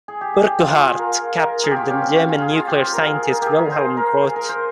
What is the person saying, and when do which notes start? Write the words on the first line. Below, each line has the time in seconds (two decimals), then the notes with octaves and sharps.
Urquhart captured the German nuclear scientist Wilhelm Groth.
0.08 G#4
0.21 G4
0.34 G#4
0.47 G4
0.60 F4
0.73 F4
0.86 G#4
0.99 A#4
1.38 A#4
1.64 G#4
1.71 G4
1.76 F4
1.90 C#4
2.02 C4
2.16 C#4
2.29 F4
2.42 G#4
2.55 F4
2.68 G4
2.81 C5
2.93 A#4
3.06 G#4
3.19 G#4
3.33 A#4
3.42 G4 G#4
3.58 A#4
3.72 C5
3.97 A#4
4.24 G#4
4.36 A#4
4.49 C5